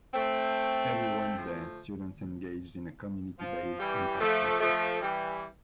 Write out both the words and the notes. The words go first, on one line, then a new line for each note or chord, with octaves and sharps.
Every Wednesday, students engage in a 'community based' impact project.
A3 C4
F3 A3
F3
E3 G3
F3 A3
F3 A3
E3 G3